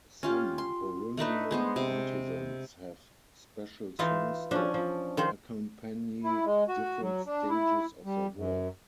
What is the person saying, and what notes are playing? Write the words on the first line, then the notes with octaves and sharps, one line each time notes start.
Some Burundian artisans have special songs to accompany different stages of their work.
C#4 F4 G4
C6
A3 D4 D#4 B4
G#3 B3 C5
C3
E3 D#4 F4 E5
F3 C#4 D4
F3
D#3 F3 C5
E4
G#3
F#4
F#3
D4
E4
G3
F#2